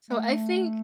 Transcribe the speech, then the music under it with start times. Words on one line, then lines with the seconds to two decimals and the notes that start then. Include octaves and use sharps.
so I think
0.10 A3